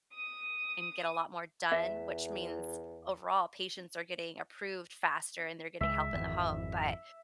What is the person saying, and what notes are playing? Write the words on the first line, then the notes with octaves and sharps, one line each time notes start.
and get a lot more done, which means, overall, patients are getting approved faster and they're getting help in the home, but
D#6 D#7
E2 E5
C#2 G#3 E5
G#1 F2 E3